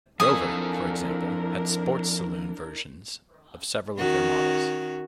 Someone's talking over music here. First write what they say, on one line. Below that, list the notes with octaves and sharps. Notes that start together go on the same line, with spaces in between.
Rover, for example, had Sports Saloon versions of several of their models.
F3 C4 D4 E4 A4 A#4 G#5 D#6
D#3 C#4 F#4